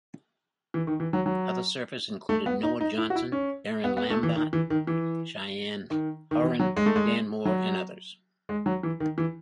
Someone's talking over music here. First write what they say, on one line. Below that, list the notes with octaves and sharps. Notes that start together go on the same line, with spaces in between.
Other surfers included Noah Johnson, Aaron Lambert, Cheyne Horan, Dan Moore, and others.
E3
D#3
E3
F#3
F#3
A3
B3
D#4
D#4
E4
F#4
E4
C#4
B3
B3
A3
E3
D#3
E3
D#3
E3
D#3
D#3
E3
F#3
G#3
A3
G#3
F#3
G#3
F#3
E3
D#3
E3